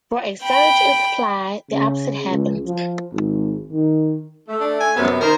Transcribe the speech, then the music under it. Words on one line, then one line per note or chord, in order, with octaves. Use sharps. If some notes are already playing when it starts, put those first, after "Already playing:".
For a surge in supply, the opposite happens.
G5 B5
C#3
C#2
F3
G#1
D#3
A3
D4
G#5
F#2 C3 B3
D#3 A#4 C5